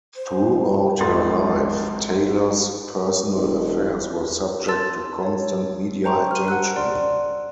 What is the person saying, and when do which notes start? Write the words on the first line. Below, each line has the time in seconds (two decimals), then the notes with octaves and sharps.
Throughout her life, Taylor's personal affairs were subject to constant media attention.
0.16 C5
1.00 G#1 G#2 F4 A4 C6 A6
3.35 E1
4.68 A5 C6 E6 A6
5.23 C#5
6.04 C5 G5 A5 A#5 C6 C#6
6.31 F6 D#7
6.48 F#5 E6 F#6
6.76 D5 C6